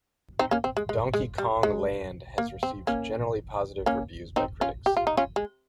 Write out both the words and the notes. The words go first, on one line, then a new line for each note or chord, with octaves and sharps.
"Donkey Kong Land" has received generally positive reviews by critics.
C4 D#4
A#3 C#4
C4
G#3
G#3
G#3
G3
G#3
A#3
C4
A#3 C#4
A#3 C#4
C4 D#4
C#4 F4
G4
F4
D#4
C#4 F4
G#3